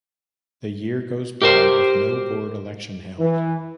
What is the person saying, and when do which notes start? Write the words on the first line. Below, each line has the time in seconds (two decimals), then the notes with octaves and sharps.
The year goes by with no board election held.
1.42 G4 A#4 C5
3.19 E3